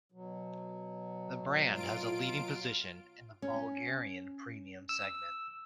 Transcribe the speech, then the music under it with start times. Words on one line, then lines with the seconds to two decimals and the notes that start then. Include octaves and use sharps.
The brand has a leading position in the Bulgarian premium segment.
0.12 B2 F#3
1.73 F4 D7
3.42 C#4
4.89 E6